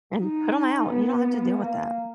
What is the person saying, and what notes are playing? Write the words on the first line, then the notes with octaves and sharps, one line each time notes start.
An put 'em out, you don't have to deal with that.
D#4
B3
A#3